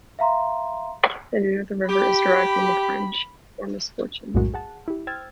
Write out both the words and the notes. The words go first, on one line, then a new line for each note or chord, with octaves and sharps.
The name of the river is derived from the French for misfortune.
E5 F5 A#5 C6
G4 B5
B1 F#2 A2 G#3 F#4 A#4
G#4 F#5 A5
E4 G4
C5 G5 E6 F6 G#6 A6